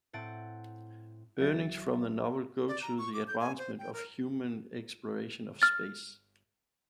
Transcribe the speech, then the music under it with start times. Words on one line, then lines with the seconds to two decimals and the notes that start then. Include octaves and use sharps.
Earnings from the novel go to the advancement of human exploration of space.
0.13 A2 C4 F#5 A6 D7
1.40 C2 F#3 E5 A6
2.68 D5
2.82 A#5
2.98 C#6
3.14 D6
3.27 G6
3.40 G#5
3.58 C5
3.79 G5
3.93 A#4
5.62 F6 A6